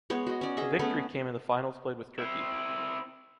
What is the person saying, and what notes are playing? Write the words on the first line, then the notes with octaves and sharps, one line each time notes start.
The victory came in the finals played with Turkey.
G#3 B3 C#5
F#4 D#5
C#4 D5
G#4 D#5 E5
A3 B3 C#4 A4
C4 E4